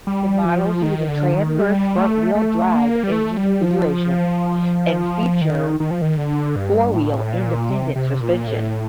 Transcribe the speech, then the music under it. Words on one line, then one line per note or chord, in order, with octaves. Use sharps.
The models use a transverse front-wheel drive engine configuration and feature four-wheel independent suspension.
G3
F3
D#3
D3
D#3
G3
A3
A3
A#3
G3
A3
G3
F3
D#3
D#3
F3
D#3
D3
G2
A2
A#2
C3
C3
A#2
A2